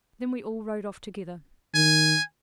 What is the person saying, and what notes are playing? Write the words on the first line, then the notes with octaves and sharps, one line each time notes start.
Then we all rode off together.
D#3 G#5